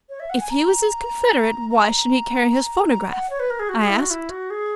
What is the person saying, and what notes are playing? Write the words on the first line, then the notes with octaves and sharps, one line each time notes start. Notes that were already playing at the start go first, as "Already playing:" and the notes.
"If he was his confederate, why should he carry his photograph?" I asked.
C#5
E5
F#5
G#5
A#5
A#5
A#5
F#5
C#5
B4
A#4
G#4
F#4
G#4
E4
F#4
E4
F#4
G#4